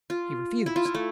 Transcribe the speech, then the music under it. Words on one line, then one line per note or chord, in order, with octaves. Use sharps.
He refused.
F4
E4
F4
E4
A3